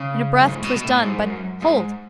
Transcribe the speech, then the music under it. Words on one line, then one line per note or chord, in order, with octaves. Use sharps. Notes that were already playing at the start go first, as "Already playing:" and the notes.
In a breath 'twas done but--hold!
Already playing: C#3
F#2
G#2
A2
B2
B2
A2
G#2
F#2
G#2